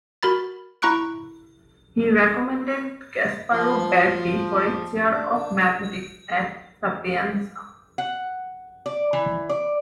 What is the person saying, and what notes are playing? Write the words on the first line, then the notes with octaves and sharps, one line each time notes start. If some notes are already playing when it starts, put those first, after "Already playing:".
He recommended Gasparo Berti for a chair of mathematics at Sapienza.
F#4 A#4 B5 A6
E4 A#5 C#6 F#6 D7
F3
D4
F#5
D5
E3
D5